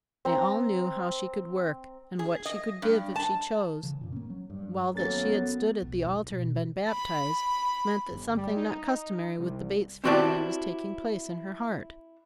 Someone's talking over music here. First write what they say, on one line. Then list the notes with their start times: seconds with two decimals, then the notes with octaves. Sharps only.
They all knew how she could work, and what she could give if she chose; while that she had stood at the altar and been baptized, meant that something not customary with the Bates family was taking place in her heart.
0.25 C4 A#5
2.19 G#4
2.46 D#5
2.82 G2
3.16 A5
3.83 C#3 E3
4.01 F#2 A#2
4.12 A#3 C#4
4.30 F#3
4.50 G2
4.95 G#1 F#3 A#3 B3 C#4 A4 A6
5.82 B1
6.07 D#4
6.30 B2
6.55 F3
6.89 B5
8.11 G1
8.37 G3
8.56 D#4
9.38 C2
10.04 C4 E4 F#4 G4 D5 A5